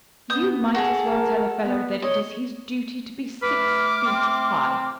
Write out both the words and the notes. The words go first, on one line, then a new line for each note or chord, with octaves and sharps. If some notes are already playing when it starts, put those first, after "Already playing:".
"You might as well tell a fellow that it is his duty to be six feet high."
B3 D#6 G6
F#4 G#4 A4
A#4
B3
C#5 D#5
A3 B4 D6 F6
C4